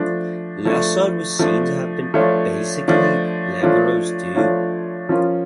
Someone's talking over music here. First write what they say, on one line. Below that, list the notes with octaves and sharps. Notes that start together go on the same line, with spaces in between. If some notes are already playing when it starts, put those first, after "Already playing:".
Lessard was seen to have been basically Legros's dupe.
Already playing: F3 A3 D4
F3 A3 D4
F3 A3 D4
F3 A3 D4 F4 C#5
F3 A3 D4 F4 C#5
F3 A3 D4 F4 C#5
F3 A3 D4 F4 C#5
F3 C#4 F4 A#4